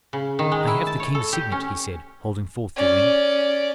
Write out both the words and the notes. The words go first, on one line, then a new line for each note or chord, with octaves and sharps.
"I have the king's signet," he said, holding forth the ring.
C#3
D#3
G#3
E4
A5
C#5
A4
G4
C#4
C#4 D5